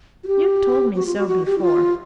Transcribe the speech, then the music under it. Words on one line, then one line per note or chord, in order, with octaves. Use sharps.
"You told me so before."
F#4
G4
F#4
F4
F#4
F#4
G4
E4
F4